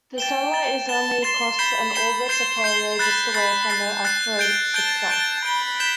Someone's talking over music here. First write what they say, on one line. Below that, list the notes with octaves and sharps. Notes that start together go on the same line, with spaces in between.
The satellite is only across and orbits Apollo just away from the asteroid itself.
G5 A6 E7 G7
A6 E7 G7
A5 A6 E7 G7
C6 A6 E7 G7
B5 G6 C7 E7 G7
B5 G6 C7 E7 G7
C6 G6 C7 E7 G7
G6 C7 E7 G7
B5 F#6 A6 C7
B5 F#6 A6 C7
F#6 A6 C7
F#6 A6 C7
G6 D7 G7
A5 G6 D7 G7
G6 D7 G7
B5 G6 D7 G7
G6 B6 E7 G7